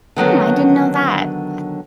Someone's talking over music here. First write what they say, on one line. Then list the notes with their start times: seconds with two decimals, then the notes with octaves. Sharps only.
Hmm, I didn't know that. I
0.16 D3 D#3 F#3 B3